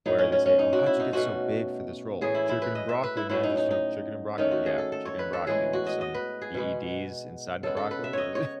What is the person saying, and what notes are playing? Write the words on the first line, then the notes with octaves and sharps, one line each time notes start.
where they say, "Oh, how'd you get so big for this role?" "Chicken and broccoli, man. Just, you know, chicken and broccoli." Yeah, chicken and broccoli with some EEDs inside the broccoli was it
A2 F#3 B3 D#4
C#4
C#4
C#4
D#4
F#4
E4
D#4
B2 A3 C#4 F#4
A2 E3 A3 G#4
E4
E4
B4
D#5
E5
B4
E4
A2 F#3 C#4 E4
D#4
D#4
D#4
D#3 A3 C#4 D#4
F#4
G#4
A4
A4
C#5
B4
A4
A2 E3 G#3 B3 G#4
F#4
D#5
D#5
B4
G#4
B2 G#3 B3
C#3 G#3 B3 A4
A4
B4
E5
C#5 D#5
C#5